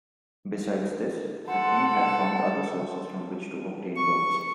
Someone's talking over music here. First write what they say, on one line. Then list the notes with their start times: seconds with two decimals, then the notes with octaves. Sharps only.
Besides this, the king had found other sources from which to obtain loans.
1.48 A4 C5 F#5
3.96 C#6